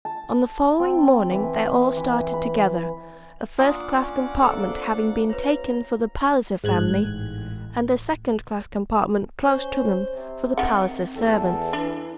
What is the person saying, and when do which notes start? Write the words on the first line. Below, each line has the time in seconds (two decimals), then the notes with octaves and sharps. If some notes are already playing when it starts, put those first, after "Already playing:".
On the following morning they all started together, a first-class compartment having been taken for the Palliser family, and a second-class compartment close to them for the Palliser servants.
0.05 A5
0.80 C4
1.31 E3
1.97 E3
2.33 B5
3.58 A#2 D4 F4 F#5 G#5 A#5 D6 D#6
4.01 C#4 C#6
4.42 C3 A3 A#3 A4
5.29 B4 C#5 A#5
6.64 A1 G#2 F#6 G#6
9.46 C#4 C5
10.14 C3
10.57 D#3 C4 F#5
11.16 E2 A4 A5
11.73 E3 D4